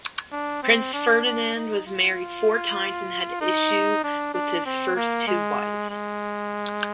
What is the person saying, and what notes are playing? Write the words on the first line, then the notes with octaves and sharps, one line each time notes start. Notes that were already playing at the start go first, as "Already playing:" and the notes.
Prince Ferdinand was married four times and had issue with his first two wives.
D4
C4
D4
D4
D#4
F4
D#4
D4
D4
C4
A#3
G#3
G#3